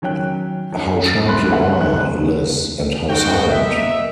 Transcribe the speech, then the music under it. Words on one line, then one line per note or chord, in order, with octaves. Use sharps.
How sharp you are, Liz, and how silent!
D#3 F#3 C#4 G5 F#6
F#2 F#3
C2 A#3 B5 C6 F#6
E5 F#5
D#3 G#3 F#6
B1 G#2 F#4 G5
A#3 D#5 E5